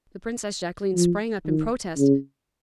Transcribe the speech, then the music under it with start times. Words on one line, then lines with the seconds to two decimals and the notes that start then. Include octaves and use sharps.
The Princess Jacqueline sprang up in protest.
0.95 F3
1.46 D#3
1.98 C#3